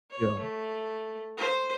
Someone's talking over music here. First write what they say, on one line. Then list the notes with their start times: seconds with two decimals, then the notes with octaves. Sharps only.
you know?
0.11 C#5
0.40 A3
1.37 C5